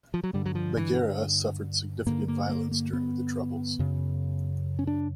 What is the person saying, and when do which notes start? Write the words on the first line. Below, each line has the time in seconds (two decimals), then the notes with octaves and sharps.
Maghera suffered significant violence during the Troubles.
0.14 F3
0.24 F#3
0.33 G2 D3 G3
0.46 F#3
0.55 F3
0.77 E3
2.06 G2 D3 A#3
2.28 A#3
2.49 A#3
2.71 A#3
2.93 B3
3.79 F#2 C#3
4.79 C#4
4.87 D4